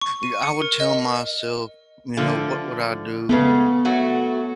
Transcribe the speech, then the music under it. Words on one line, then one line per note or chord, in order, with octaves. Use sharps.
y I would tell myself, you know, what would I do?
C#6
D#7
C#7
A#4
D#5
D3 F3 A3
C#3 G#3 A3 B3 B4
F#3 A3 F#4